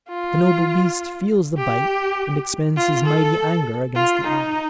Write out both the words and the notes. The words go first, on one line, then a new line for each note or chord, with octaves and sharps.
The noble beast feels the bite, and expends his mighty anger against the atom.
F4
G4
F4
A4
F4
D#4